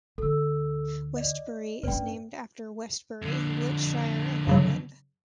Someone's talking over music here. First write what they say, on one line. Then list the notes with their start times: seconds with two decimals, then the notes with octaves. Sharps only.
Westbury is named after Westbury, Wiltshire in England.
0.18 D2 A4 E6
1.16 D5 D#5
1.83 G2 C#4 B4 D5 G5
3.22 F2 D3
4.47 G2 C#3 F#3